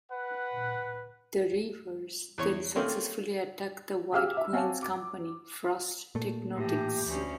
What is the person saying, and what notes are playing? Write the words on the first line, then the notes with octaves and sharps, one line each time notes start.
The Reavers then successfully attack the White Queen's company, Frost Technotics.
B4 F#5
E2 C#5 C#6
D#3 A3 A#3 C4 C#4
G4 G#4 F5 D6 E6 F6
E5
C4 F#4 C#5 F5 G#5 A5
D6
A#2 A3
A2 E3 G4
D2 C#4